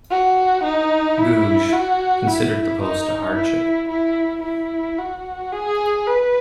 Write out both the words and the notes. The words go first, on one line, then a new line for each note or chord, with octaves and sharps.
Googe considered the post a hardship.
F#4
D#4
E4
F#4
E4
D#4
E4
E4
E4
F#4
G#4
B4